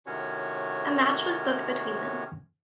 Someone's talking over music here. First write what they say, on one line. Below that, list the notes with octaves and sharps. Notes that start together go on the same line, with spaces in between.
A match was booked between them.
A2 C3 D#3 C#4 F#4 C#5